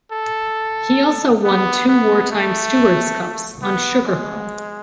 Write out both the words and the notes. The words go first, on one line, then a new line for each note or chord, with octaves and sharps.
He also won two wartime Stewards Cups on Sugar Palm.
A4
B3
B3
A3
B3
G#3